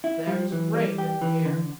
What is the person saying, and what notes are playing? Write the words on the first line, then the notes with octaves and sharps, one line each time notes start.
"There's rain in the air."
E4
G3
E3
G3
G4
E3
D3